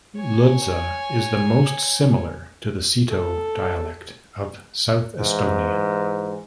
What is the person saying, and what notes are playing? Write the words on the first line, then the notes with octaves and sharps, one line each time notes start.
Ludza is the most similar to the Seto dialect of South Estonian.
C#5 G#5
A4
G#2 E3